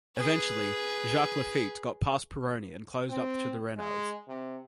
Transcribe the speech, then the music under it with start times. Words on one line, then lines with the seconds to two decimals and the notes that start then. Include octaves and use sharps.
Eventually, Jacques Laffite got past Pironi and closed up to the Renaults.
0.17 G#4 B4
3.11 C4
3.78 G#3
4.28 C3